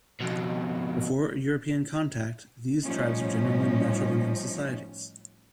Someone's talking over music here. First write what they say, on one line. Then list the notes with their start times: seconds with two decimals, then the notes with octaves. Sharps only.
Before European contact these tribes were generally matrilineal societies.
0.21 F2 B2
2.83 A2 F3 G3 C#4 D#4